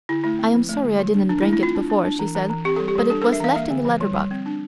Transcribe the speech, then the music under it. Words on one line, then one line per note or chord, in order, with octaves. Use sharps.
"I am sorry I didn't bring it before," she said, "but it was left in the letter-box."
D3 E4
A3 E4
C4
F3
A3
D3
G3
D4
E3 D4
E4
A3
E4
C4 F4
D4
D4
D4
E3
E3
E3
C4 G4
A4
G3
G4
G3 A4
D4 A4
A#4
D4
E5
E3 F5
A#3 E5
D3
F3
G3
G3
C4
D4